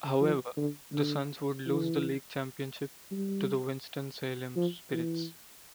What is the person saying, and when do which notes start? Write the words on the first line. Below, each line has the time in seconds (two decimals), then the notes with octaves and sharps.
However, the Suns would lose the league championship to the Winston-Salem Spirits.
0.21 F3
0.57 D3
0.93 D3
1.66 E3
3.11 G3
4.56 F3
4.92 E3